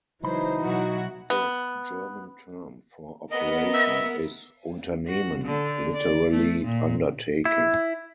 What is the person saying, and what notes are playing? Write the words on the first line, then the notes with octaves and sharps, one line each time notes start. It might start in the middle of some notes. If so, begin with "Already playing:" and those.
The German term for "Operation" is "Unternehmen", literally "undertaking".
C#2 E3 F#3 D#4 C5 B5
B1 F#3 E4 F#4
B3
B3 A#4 D#5
E5
F#4
D3
D5
A3
A#2
E4